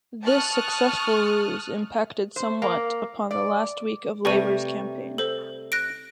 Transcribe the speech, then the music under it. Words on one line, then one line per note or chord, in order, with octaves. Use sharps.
This successful ruse impacted somewhat upon the last week of Labor's campaign.
A5 C#6 D#6 F6 F#6
C5
A#3
D5
C3 G3 A3 B4 C#6 D#7
A4 C5
F#6 A#6 D7